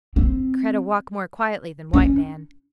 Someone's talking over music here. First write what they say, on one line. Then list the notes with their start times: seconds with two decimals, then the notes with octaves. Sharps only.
Kreta walk more quietly than white man.
0.16 C4
1.93 C#4